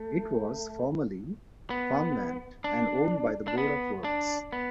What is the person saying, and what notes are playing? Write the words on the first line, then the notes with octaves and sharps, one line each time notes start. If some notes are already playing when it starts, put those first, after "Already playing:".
It was formerly farmland and owned by the Board of Works.
Already playing: A3
B3
D4
D4
B3
D4
B3